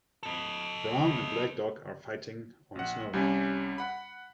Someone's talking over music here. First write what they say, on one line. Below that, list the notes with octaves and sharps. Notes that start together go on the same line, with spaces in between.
A brown and black dog are fighting on snow.
A4 D#5
A#1 F#5
C2 G3 C#4 G#5
F#5 B5